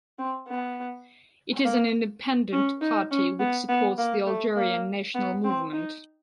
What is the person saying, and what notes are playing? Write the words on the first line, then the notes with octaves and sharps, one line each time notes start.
It is an independent party which supports the Algerian national movement.
C4
B3
A#3
C#4
D#4
C#4
B3
B3
A#3
A3
A#3
B3
C4
D#4